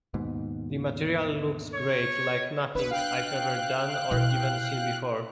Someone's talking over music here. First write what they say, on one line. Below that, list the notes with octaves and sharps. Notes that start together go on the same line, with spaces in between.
The material looks great, like nothing I've ever done or even seen before.
D#2 G#2 B2
C#5
D4 B4
F5 G5 F#6
B2 E4